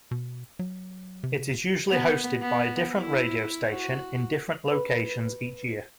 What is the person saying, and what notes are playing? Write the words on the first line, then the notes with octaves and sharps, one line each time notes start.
It is usually hosted by a different radio station in different locations each year.
B2
F#3
C3
B3
B3
E4
F#4
B4